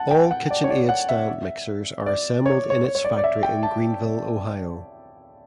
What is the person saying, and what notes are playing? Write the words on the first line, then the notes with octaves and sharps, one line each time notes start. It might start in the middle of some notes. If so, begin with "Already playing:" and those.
All KitchenAid stand mixers are assembled in its factory in Greenville, Ohio.
Already playing: F#5 A5
G5
F#5
D5
C#5
D5
F#5
E5
D5
C#5
C#5
C#5
C#5
D5
D5
E5
G5
A5